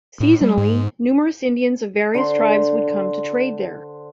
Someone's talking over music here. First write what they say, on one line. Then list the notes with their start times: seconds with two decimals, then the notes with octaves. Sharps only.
Seasonally numerous Indians of various tribes would come to trade there.
0.20 A2
0.41 G3
0.57 G#2
2.14 D3 C5 C6